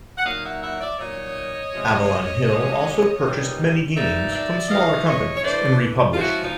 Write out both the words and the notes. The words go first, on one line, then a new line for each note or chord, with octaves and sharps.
Avalon Hill also purchased many games from smaller companies and republished them.
F#5
A#2 F#3 A#3 D#4 D#5 F5
E5 F#5
E5 F#5
D5 E5
A#2 F#3 A#3 D#4 C#5 D#5
C3 F3 G#3 C#4
C3 F3 G#3 C#4
A#2 G3 B3 D#4
A#2 G3 B3 D#4 D5 E5
D5 E5
E3 A3 D4 D#5 F5
C#5 D#5
C#5
E3 A3 D4 C5 D5
F4
F3 G#3 C#4 E4 F#4
D#4 F4